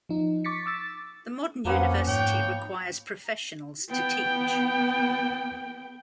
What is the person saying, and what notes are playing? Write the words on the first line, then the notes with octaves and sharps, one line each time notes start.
The modern university requires professionals to teach.
F3 D#4
C#6 D6 A6 B6 C#7
D6 E6 A6
F2 F3 A#3 B3 C#4 F#5
G#2 C#5 G5
B3 G5